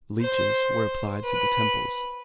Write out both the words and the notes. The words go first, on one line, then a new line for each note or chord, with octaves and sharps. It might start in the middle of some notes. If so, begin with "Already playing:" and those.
Leeches were applied to the temples.
C5
B4